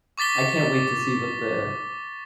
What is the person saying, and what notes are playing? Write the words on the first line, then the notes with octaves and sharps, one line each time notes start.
I can't wait to see what the
C#6 D6 A6 B6 G7